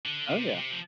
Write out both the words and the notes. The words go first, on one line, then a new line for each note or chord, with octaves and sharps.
Oh, yeah.
D3
C3
A#2
C3
F3